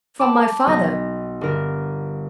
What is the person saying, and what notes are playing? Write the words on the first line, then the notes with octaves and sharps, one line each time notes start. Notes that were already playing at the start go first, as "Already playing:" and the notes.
"From my father?"
G5 A5 B5 D6
B1 B3 D#5 G6 A#6
G1 A#4 E5